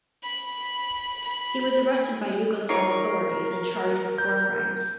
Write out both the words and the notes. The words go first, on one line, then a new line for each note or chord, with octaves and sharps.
He was arrested by Yugoslav authorities and charged with war crimes.
B5
B5
D#4 F4 A#4 C#5 C#6 C7 D7
G6